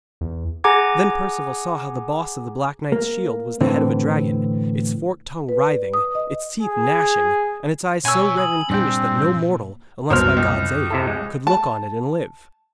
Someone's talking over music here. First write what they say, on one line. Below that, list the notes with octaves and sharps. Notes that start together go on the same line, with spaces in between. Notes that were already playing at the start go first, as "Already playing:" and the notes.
Then Perceval saw how the boss of the Black Knight's shield was the head of a dragon, its forked tongue writhing, its teeth gnashing, and its eyes so red and fiendish that no mortal, unless by God's aid, could look on it and live.
E2
G#4 F#5 G#5 A#5 D6 G#6
A#3
A2 D3 E3 C4
B4
D5
D#6
D#5
G#4
B2 C#5 G#5 E6
B5 D#6
G2 A#2 C4 D4 G5
C2 F#2 B2 A#4 C5 F6
C#2
C3 E4 A4
G#3
A5